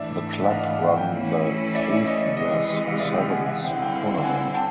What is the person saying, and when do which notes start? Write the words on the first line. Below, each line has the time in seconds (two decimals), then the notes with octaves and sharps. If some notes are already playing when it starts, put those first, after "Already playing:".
The club run the Caithness Sevens tournament.
Already playing: G#2 E3 A3 D4 D5 E5
0.43 F#5
0.51 D#5 F5
0.66 D#5 F5
0.82 E5 F#5
0.93 F#5
0.97 F5 G5
1.13 E3 A3 C#4 E4
1.75 D5 E5
1.91 D5 E5
2.06 D#5
2.22 D5
2.36 C3 E3 G#3 D#5
2.87 F5
2.99 D5 E5
3.14 F5 G5
3.30 F#5 G#5
3.46 E5 F#5
3.61 D3 G3 C4 E4 G5
3.72 F#5
3.82 F5 G5
4.23 F#5 G#5
4.54 G5 A5